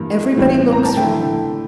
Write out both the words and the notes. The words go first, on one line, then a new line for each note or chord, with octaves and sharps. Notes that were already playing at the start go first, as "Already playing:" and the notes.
Everybody looks for him.
Already playing: G2 E3 A#3
A2 E3 G3 C4
A#5
A5
D3 A3 E4 G5